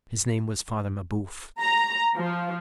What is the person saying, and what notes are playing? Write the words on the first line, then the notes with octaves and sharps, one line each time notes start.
His name was Father Mabeuf.
A#5
F3